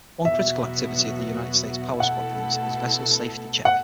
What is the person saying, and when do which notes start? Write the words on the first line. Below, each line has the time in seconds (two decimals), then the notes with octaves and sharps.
One critical activity of the United States Power Squadrons is Vessel Safety Check.
0.25 E2 B2 F#3 B3 F#4 E5
1.99 B2 A3 E4 A4 F#5
3.65 F#5